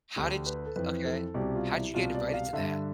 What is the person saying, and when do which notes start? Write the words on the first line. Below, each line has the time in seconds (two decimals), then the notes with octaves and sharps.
How did you okay. How'd you get invited to that?
0.16 D2 D3 G4
0.46 B4
0.66 A4
0.76 F2 E3 B4
1.05 A4
1.34 C2 B2 G4
1.55 F4
1.74 E4
1.94 C2 B2 F4
2.14 D5
2.34 F5
2.53 G2 D3 E5